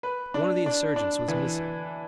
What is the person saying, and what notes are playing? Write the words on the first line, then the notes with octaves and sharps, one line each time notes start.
One of the insurgents was missing.
B4
D4
D4
D4
E3